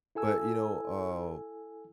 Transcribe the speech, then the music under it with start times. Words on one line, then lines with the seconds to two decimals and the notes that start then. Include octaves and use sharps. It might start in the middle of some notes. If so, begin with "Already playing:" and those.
but, you know, uh,
0.15 E4 A4 G#5 E6